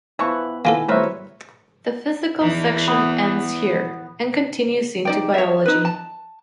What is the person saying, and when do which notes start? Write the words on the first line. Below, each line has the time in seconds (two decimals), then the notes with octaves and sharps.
The physical section ends here, and continues into biology.
0.19 E3 F3 B3 B4 C#6
0.65 D#3 A#3 B3 E4 F4 A4 G#5
0.88 F#3 G3 A3 C4 A#4 B4 C#5 E5
2.39 E2 E3
2.87 B3
5.05 D#4 D5 G5
5.34 C#5 E5
5.66 D#4 B4
5.85 A5